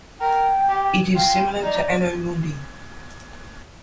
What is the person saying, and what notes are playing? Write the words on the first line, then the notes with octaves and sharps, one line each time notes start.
It is similar to "Anno Mundi".
A#4 G5
G4
F4 G5
D#4 D5